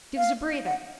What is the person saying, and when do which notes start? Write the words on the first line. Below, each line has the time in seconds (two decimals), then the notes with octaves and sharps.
Give's a breather.
0.17 F5
0.66 F#5